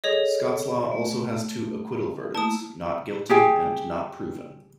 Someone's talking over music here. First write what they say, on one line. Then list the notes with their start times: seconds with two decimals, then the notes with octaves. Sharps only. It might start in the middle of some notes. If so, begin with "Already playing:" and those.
Scots law has two acquittal verdicts: "not guilty" and "not proven".
0.04 G#4 A4 C#5 D#5
0.92 A3
2.35 A3 A#3 E4 A5 D#6
3.29 G4 G#4 G5